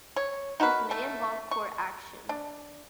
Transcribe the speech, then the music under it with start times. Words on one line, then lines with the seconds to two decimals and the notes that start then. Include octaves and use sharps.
This may involve court action.
0.16 C#5
0.60 D#4 F#4 A#4 B4
0.91 A3
1.51 C#6
2.29 D4